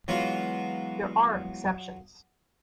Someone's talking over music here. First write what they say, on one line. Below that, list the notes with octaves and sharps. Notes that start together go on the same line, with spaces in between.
There are exceptions.
E3 F#3 G#3 B3 F4